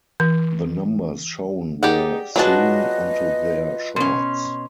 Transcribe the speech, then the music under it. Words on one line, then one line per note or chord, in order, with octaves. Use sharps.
The numbers shown were sewn onto their shorts.
E3
D#4 G4 G#4 D5 F#5
F#3 D4 F4 F#4 G#4 B4 D#5 A5
B2 C#4 C6